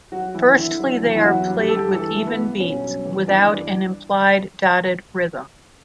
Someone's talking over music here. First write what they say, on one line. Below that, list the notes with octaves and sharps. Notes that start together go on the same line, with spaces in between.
Firstly they are played with even beats, without an implied dotted rhythm.
F#3 F#4
E2 E4
D3 E4
F#3
E2
E4
F#3 F#4
G2
G4
G2 A4
G4
E3 A4
G2 A3
B3
G2
B2 C#4
F#3
E2
E3 D4
G2